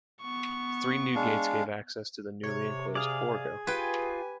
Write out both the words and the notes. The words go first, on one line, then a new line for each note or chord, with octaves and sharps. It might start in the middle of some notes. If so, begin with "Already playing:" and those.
Three new gates gave access to the newly enclosed Borgo.
B3 C#6
G#3 D4 F5
C3 C#5
G#4 D5 F5
F4 G4 B4 G5 G#5